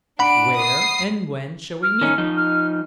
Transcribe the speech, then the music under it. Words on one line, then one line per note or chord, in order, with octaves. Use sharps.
Where and when shall we meet?
D4 F#5 B5 D7
D#6 C7
F6
D#3 C#4 D#4
F3 D#4
F6